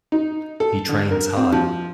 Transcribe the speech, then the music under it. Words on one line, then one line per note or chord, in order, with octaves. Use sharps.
He trains hard.
D#4
A4
D3
A#4
C4
F3